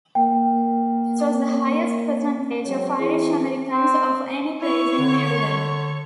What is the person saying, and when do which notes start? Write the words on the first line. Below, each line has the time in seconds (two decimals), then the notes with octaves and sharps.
This was the highest percentage of Irish Americans of any place in Maryland.
0.15 A#3 G5
2.66 F#3 G#3 C4 C#4 C#5
2.99 E3 C4 E4 G#4
3.72 C4
4.61 E4 C#5 C#6
4.99 D3